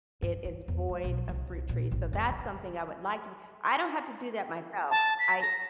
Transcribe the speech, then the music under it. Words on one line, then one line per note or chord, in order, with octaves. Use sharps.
it is void of fruit trees. So, that's something I would like to be I don't have to do that myself. I
G2
G3
E2
G#3
B1
C2
A#2
A1
F1
C#3
A5
B6
A#6